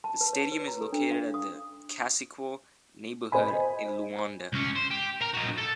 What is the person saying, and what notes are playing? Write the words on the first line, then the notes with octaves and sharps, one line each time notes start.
The stadium is located at the Cassequel neighborhood in Luanda.
A5
B4
C#5
B4
A#5
A4
D4
F5
D#6
C5 D#5 G#5 B5
C#2 C#4
C5
G4
A#4 A#5
D#4 F#4
A4